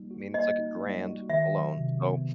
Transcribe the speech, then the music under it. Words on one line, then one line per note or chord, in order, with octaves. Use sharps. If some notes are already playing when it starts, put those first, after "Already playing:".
I mean, it's like a grand alone. So
Already playing: G3 A#3 D#4
F#4
A#3 D#5
D#4
G3
F#4
D#3 E5
F#3
C3
B3